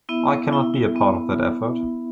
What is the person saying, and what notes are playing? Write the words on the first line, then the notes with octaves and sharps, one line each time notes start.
I cannot be a part of that effort.
B3 E4 E5
B3
E4
E4
B3